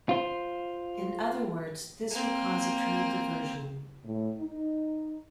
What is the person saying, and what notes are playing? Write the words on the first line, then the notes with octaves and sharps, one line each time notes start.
In other words, this would cause a trade diversion.
F4 C5
A#3 C4
A2
D#4